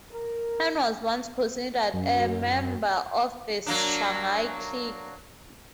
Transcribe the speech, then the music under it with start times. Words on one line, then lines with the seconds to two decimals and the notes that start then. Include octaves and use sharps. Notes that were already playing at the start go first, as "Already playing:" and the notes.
Han was once considered a member of the Shanghai clique.
0.12 A#4
1.93 F#2
3.66 F#3 A#3 D4